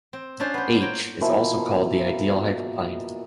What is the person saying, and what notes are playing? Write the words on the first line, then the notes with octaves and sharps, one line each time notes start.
"H" is also called the ideal hyperplane.
C4
C#4 D4 F4 C5
B3 C5
C5 C#5 G5 A#5
B2 E3 F3 A#3